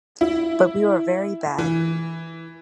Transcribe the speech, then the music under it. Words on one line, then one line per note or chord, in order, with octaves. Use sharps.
But we were very bad.
E4
E3